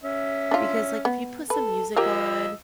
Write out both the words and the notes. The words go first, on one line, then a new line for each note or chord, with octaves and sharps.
Because, like, if you put some music on,
C#4 E5
D4 F4
B3
A4 B4
F3 G4 A#4 D#5 F5 E6